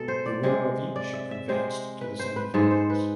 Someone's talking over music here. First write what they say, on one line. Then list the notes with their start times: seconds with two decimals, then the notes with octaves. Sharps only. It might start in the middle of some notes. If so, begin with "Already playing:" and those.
The winner of each advanced to the semifinals.
Already playing: B2 G#3 A4
0.08 C5
0.26 D5
0.43 C3 G#3
0.96 D5
1.13 E5
1.31 E5
1.48 C3 G#3 C5
2.01 B4
2.19 C5
2.36 B4
2.54 G#2 G#3 A4
2.71 C5
2.90 B4